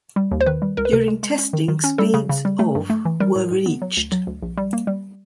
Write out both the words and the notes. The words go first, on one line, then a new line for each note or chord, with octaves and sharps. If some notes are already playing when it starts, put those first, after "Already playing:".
During testing speeds of were reached.
G3
D#2
C5
D#3 B4
G3
C#2 A#4
B4
C3 A#4
G#3
G#3
C#4
D#3
D#3
C#4
G3 A4
C#3
C#3
G3
A3
G2
A3
E3
G3 A#4
A2
A2
B3
F#3
D2
F#3
D2
A#1
G3
A#3
G3